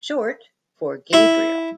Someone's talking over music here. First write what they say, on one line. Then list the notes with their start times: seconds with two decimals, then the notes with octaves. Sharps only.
Short for Gabriel.
1.13 E4